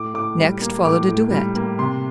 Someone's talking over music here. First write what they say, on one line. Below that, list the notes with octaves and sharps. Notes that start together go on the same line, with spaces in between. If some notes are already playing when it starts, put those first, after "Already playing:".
Next followed a duet.
Already playing: A2 D6
A2 D6
G3
A#3
A2 D6
A2
G3
A#3
C3 C6